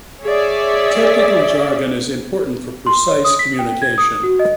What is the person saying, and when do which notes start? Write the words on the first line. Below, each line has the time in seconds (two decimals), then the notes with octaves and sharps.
Technical jargon is important for precise communication.
0.22 G#4 C#5 D5 E5
2.86 C6
3.08 C#5
3.25 D#6
3.39 B6
3.59 G5
3.82 G#6
3.98 D#6
4.23 F#4
4.39 D#5